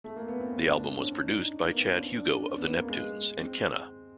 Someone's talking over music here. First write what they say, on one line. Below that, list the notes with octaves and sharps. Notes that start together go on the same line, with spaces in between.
The album was produced by Chad Hugo of The Neptunes and Kenna.
A3
A#3
B3
C4
C#4
D4
D4
C4
C#4
D4
C#4
D#4
D4
D#4
A#3
B3
C4
C#4
D4
C#4
D4
D4
C#4
B3
A#3
G#3
C4